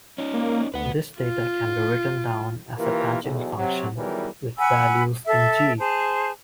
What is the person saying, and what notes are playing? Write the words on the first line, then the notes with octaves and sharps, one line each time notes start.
This data can be written down as a patching function, with values in "G".
C#4 D#4
A#3
D2 B4 F#5
F4
E3 A#3 F4 G4 A#4
B1 E2
C3 F#3
E2 D#3 E3 F#3 G3 A#4
F#5 G#5 B5 E6
A4 E5
G#4 C5 A5